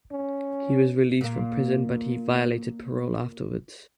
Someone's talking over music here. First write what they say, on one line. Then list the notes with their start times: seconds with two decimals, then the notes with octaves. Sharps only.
He was released from prison but he violated parole afterwards.
0.12 C#4
1.21 A#2 A#3